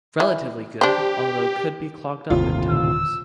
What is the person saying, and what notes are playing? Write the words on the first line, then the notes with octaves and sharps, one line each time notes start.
Relatively good, although could be clogged up at times.
E3
D4 G4 C5
G1 D#2 A2 C3 F4
D#1 A#2 D3 E6